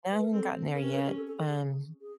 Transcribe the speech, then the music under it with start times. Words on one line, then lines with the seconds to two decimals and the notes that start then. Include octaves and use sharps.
Haven't gotten there yet, um,
0.12 B4
0.22 A#4
0.32 C4 A4
0.75 C#4 A#4
0.85 B4
0.95 A#4
1.06 G4
1.16 A4
1.27 A4
1.38 A4
1.49 G#4
2.01 G#4